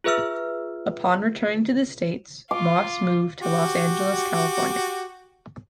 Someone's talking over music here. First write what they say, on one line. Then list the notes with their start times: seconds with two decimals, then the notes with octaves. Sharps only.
Upon returning to the States, Moss moved to Los Angeles, California.
0.04 F4 G#4 B4 E5 E6 F6
2.51 F4 D6
3.40 F#4 G4